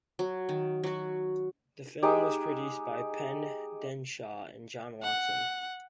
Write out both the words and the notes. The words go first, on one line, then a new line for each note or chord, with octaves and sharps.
The film was produced by Pen Densham and John Watson.
F#3
D#3
F#3 F#4
G#3 D#4 G4
F#5